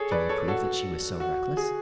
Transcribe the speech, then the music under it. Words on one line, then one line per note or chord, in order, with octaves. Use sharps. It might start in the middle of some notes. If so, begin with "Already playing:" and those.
"Can you prove that she was so reckless?"
Already playing: G#4 A4 C#5
B4 D5
A4 C#5
F#4 A4
F#4
G#4